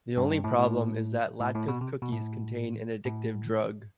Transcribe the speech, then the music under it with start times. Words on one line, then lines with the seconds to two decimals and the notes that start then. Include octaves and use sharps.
The only problem is that Latka's cookies contain an addictive drug.
0.17 G2
0.31 G2
0.44 A2
0.59 A2
1.41 A2
1.55 A2
1.68 B2
1.81 C3
2.02 B2
2.12 A2
3.05 A2